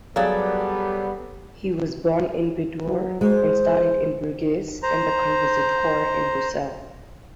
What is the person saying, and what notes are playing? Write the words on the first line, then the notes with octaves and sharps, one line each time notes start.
He was born in Bordeaux and studied in Bruges and the conservatoire in Brussels.
F#3 G3 B3 G#4 A4 D5 F5
F#3
G#3 C5
C5 A#5